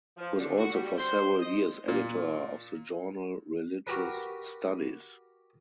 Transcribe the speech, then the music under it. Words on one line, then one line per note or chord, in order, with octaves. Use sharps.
He was also for several years editor of the journal Religious Studies.
F3
D3
F#4
G3
C5
D#5
A#2
F#4 G4 A#4 B4